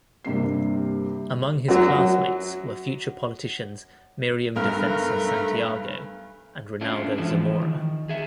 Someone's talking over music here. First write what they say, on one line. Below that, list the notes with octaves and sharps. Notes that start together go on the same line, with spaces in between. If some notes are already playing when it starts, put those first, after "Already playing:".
Among his classmates were future politicians Miriam Defensor Santiago and Ronaldo Zamora.
G2 C3 A#3 C7
F#2 F#3
B1 G2 A3 A#4 F6
A3 C#4 D4 E4 F4
E3 F3 G#3 E4
D#3
G#4 E5